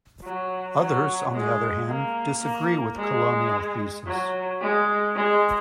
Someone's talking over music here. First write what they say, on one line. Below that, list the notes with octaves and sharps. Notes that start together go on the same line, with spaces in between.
Others, on the other hand, disagree with colonial thesis.
F#3
F#3
G#3
A#3
A#3
G#3
F#3
G#3
G#3